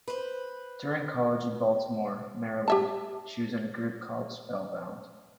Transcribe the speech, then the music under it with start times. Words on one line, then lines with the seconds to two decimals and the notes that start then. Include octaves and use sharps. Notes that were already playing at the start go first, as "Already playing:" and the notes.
During college in Baltimore, Maryland, she was in a group called Spellbound.
0.08 B4 C5
2.68 G4 E5 A5